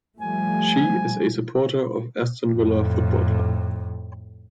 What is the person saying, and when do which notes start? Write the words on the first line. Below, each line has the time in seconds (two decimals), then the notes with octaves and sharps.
She is a supporter of Aston Villa football club.
0.20 F3 G3 A3 G#5
2.52 F2 A2